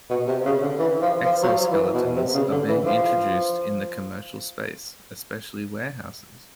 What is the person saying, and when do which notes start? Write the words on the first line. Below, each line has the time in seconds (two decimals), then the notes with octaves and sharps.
Exo-skeletons are being introduced in the commercial space especially warehouses.
0.10 B2
0.27 C3
0.45 C#3
0.62 D3
0.79 E3
1.02 F3
1.25 F3
1.43 F#3
1.48 F3
1.71 E3
1.94 B2
2.16 C3
2.34 C#3
2.51 D3
2.69 E3
2.86 F3